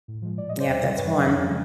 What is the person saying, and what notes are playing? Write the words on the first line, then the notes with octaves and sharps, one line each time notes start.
Yep, that's one.
A2
F3 G#3
A#2 D5
G3 D#5
C5 D5
E2
C3 D#3 G3
G2 B4 C#5
D3 F#3
F2
C#3 F3 G#3